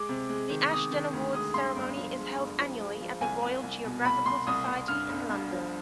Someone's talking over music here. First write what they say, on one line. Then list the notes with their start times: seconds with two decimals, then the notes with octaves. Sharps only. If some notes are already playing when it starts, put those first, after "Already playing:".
The Ashden Awards ceremony is held annually at the Royal Geographical Society in London.
Already playing: G#3 D6
0.09 C3
0.29 G#3
0.50 D#3
0.71 G#3 D#6
0.91 D#3
1.13 D2
1.33 G#3 D#6
1.54 G2 C6
1.76 G1
1.96 F3
2.18 G#3
2.38 G1
2.58 F3
2.80 G#3
3.00 F3
3.21 C2 G#5
3.43 C2
3.63 C2
3.84 B2
4.05 C2 B5
4.26 C2 C6
4.47 C2 D#6
4.67 C2
4.88 G2 F6
5.09 G1
5.29 G2
5.51 F3